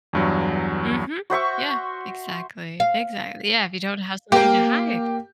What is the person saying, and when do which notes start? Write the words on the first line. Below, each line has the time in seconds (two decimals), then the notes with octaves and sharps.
Mhm, yeah, exactly, exactly, yeah, if you don't have something to hide.
0.13 E2 G2 F#3
1.30 F#4 C5 E5 C#6
2.80 F5
4.32 A#3 G4 A#4 G5